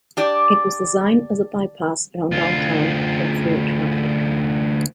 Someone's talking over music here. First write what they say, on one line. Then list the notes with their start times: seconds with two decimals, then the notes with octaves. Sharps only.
It was designed as a bypass around Downtown for through traffic.
0.17 D4 G4 D5
2.31 D2 F4